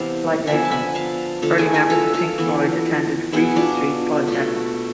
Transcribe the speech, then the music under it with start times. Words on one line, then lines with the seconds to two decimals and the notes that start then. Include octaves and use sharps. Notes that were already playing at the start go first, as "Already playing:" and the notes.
Like Latham, early members of Pink Floyd attended Regent Street Polytechnic.
Already playing: C3 E3 B3 F5 A5
0.47 D3 F3 B3 E5 G#5
0.65 A5
0.71 G#5 B5
0.95 F5 A5
1.42 D3 A3 F4 A4
1.58 E4 G#4
1.74 G#4 B4
1.90 F4 A4
2.13 F4 A4
2.38 E3 B3
3.32 B2 B3 E4 G#4
3.56 D4 F4
4.27 B2 A3